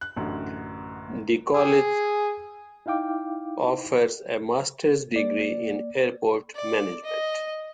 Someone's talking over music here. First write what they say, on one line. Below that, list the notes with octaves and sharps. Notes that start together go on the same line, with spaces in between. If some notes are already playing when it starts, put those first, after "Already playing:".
The college offers a master's degree in Airport Management.
F#6
A1 F#2 D3
G#4 G5 D6 E6
D#4 E4 F5 G5 D6
A#3 D5
D5
D#5